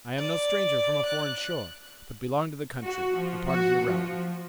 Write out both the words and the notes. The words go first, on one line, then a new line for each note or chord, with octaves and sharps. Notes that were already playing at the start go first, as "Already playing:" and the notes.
I am no stranger from a foreign shore, but belong to the country, a part of your realm.
D5
F#6
F#4
F3
F#4
F3